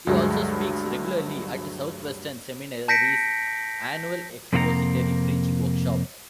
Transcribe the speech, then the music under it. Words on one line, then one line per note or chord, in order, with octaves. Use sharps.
He also speaks regularly at Southwestern Seminary's annual Expository Preaching Workshop.
D2 G2 F#3 G#3
A5 G6 A#6 B6 C#7 D7
F2 C3 A#3 E4 F#5 A#5